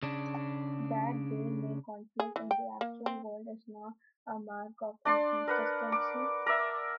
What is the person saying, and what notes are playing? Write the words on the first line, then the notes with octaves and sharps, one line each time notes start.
That they may conflict in the actual world is not a mark of inconsistency.
C#3 D4
G#4
E3
G5
A#3
C4
D4 D5 C6
A#4 B4 F#5
D6
A#4 D5 E5